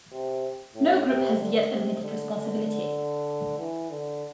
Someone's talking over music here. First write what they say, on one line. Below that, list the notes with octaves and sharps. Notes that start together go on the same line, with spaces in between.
No group has yet admitted responsibility.
C3
A2
C3
D3
C3
D3
D3
D3
E3
D3